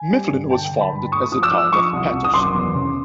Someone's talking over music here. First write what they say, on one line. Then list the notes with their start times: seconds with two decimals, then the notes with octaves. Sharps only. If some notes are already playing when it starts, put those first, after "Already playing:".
Mifflin was founded as the town of Patterson.
Already playing: G#5
0.11 G3
0.31 G2
0.51 D3 G5 A5
0.72 D3
0.81 A5 B5
0.92 G2
1.12 A3 C#6 D#6
1.32 F3 D#6
1.43 D6 E6
1.53 F3
1.73 F3 C#6 D#6
1.93 C2
2.13 C2
2.24 D#6
2.34 F#1 C6 D6
2.54 E2
2.75 C#3